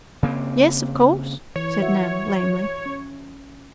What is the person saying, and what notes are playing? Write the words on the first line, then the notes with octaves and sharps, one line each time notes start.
"Yes, of course," said Nan lamely.
C#3 A#3 C4
E3 C#5
F#4 E5
C#4